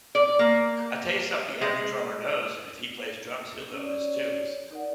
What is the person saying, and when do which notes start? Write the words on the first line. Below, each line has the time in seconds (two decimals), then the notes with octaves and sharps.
I'll tell you something, every drummer knows, and if he plays drums, he'll know this too. He's,
0.15 D5
0.39 A#3
1.61 G#3
3.73 C#4 C#5 D5
4.71 D#4 A#4 D5 F#5